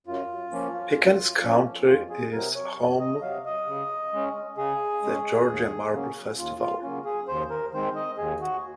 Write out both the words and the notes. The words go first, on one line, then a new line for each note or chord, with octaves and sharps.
Pickens County is home the Georgia Marble Festival.
F#2 F4
F3 A#3 C#4
F#2
F3 A#3 C#4
F2 F4
G#4
C3 F#3 A#4
C#5
F2
D#5
C3 F#3 F5
D#5
C#3
G#3 C#4
C#3 G#4
G#3 C#4
D#2
C#3 F#3 A#3 C#4
D#2 F4
F4
C#3 F#3 A#3 C#4
G#4
D#2 C5
A#4
D#3 G#3 C4 C5
D#5
D#2 G#4
F#4